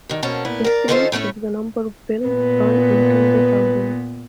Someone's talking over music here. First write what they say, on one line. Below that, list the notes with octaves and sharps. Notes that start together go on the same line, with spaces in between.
Estimates of the number of bills run into the thousands.
G2 D#3
B2 A#3 C4 C#4 A5
A#2 B3 E4
A#4 D5
D#3 C#4 D#4 F4 A4 C5
A2 A3 C#4 E4
A#2 B3 B4